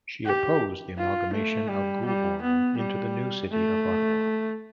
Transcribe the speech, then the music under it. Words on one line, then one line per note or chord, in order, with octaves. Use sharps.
She opposed the amalgamation of Goulbourn into the new city of Ottawa.
G4
F4
A3
G3
G3
B3
G3
A3